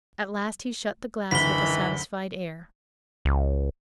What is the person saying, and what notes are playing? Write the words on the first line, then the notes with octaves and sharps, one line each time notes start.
At last he shut the glass with a satisfied air.
F#1 D2 D#3 E3 B5 B6 G7
C#2